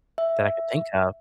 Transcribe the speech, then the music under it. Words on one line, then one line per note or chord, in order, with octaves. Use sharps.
that I can think of.
E5